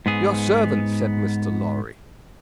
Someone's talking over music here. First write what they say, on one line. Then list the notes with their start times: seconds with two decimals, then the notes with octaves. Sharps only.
"Your servant," said Mr. Lorry.
0.06 G#2 B3 G#4